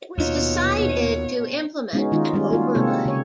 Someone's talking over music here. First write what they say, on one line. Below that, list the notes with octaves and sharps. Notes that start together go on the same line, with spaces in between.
It was decided to implement an overlay.
D#2 B2 D#4 F4 C#5
G#3 B3 C#4 D#4 F#4
D#3 G#3 D#4 F4
G3 G#3 C#4 D#4
A#3 F4 F#4
C3 G#3 A#3 C4 A4 C#5
C#3 C#5